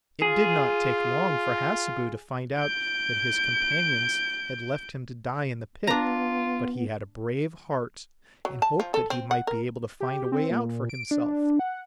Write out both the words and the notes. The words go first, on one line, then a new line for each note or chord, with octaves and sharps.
It did not take long for Hassebu to find out that his companions had left him to die in the pit, but he had a brave heart, and hoped that he might be able to find a way out for himself.
F4 G#4
G6 D7
B3 D4 F4 A#5
F#3
A5
F3
A4
C4
F#5
A#4
G4
C4
A#2
D7
D4
F#5